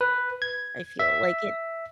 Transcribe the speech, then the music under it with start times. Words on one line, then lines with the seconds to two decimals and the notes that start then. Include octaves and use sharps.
I feel. Like, it
0.01 B4
0.42 G#6
0.99 E5